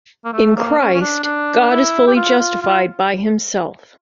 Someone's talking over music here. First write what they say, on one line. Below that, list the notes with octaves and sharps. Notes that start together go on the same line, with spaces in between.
In Christ, God is fully justified by Himself.
A#3
A3
A#3
C#4
C#4
D4
D4
D4
E4
G4
F4
F4
F4